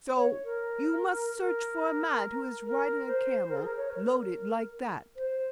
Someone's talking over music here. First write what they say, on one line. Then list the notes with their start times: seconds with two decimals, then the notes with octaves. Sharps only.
So you must search for a man who is riding a camel loaded like that.
0.16 C#5
0.44 A#4
1.41 A#4
2.66 A#4
3.07 C5
3.48 A#4
3.56 G#4
3.63 A#4
3.77 C#5
3.90 A#4
5.16 C5